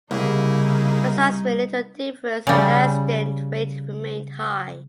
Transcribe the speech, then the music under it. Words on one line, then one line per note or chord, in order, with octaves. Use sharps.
The signs made little difference and the accident rate remained high.
C2 C#3 A#3 D#4 E4 G#4
C#3 G3